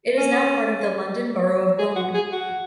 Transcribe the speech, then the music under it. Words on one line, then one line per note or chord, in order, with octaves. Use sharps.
It is now part of the London Borough of Bromley.
C#4
G#4
F#4
G#4
F#4